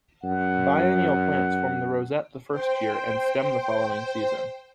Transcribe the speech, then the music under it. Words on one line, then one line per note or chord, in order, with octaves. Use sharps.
Biennial plants form the rosette the first year and the stem the following season.
F#2 F#5
C5 G5